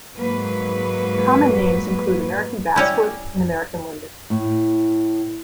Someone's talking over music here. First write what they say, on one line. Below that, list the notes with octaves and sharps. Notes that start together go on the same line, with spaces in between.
Common names include American basswood and American linden.
G#2 F#3 A#3 B4
G3 C#4 E4
A2